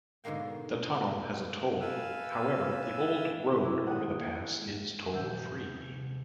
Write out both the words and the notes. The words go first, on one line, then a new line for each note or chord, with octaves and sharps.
The tunnel has a toll; however, the old road over the pass is toll-free.
G#2 B2 D3 G#3 A#3 G5
A4 B4 F5 G#5 E6
E4 C#6 D6
D#3 C5 D5 F#5 D#6 F#6
A#3
G#3 A#3
D#1 A#2 F3 E6 G6
C3